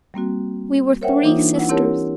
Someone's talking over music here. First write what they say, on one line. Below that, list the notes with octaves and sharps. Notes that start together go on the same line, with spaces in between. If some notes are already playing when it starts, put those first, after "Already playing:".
We were three sisters.
G3 A#3 C4 F#4
A#4 C5 C#5 E5 F#5 G5
E3 A#3 D4 D#4 F4
E4 F#5
C4 E4 G4 A#4 C#5 A5